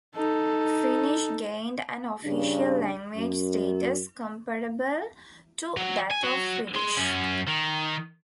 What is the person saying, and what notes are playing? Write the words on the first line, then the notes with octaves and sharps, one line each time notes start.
Finnish gained an official language status comparable to that of Swedish.
D#4 A4
G2 C#3 D4
F#2
F#3
G#5
F#4 C#5
G#4 C6
F#2 C#4
D#3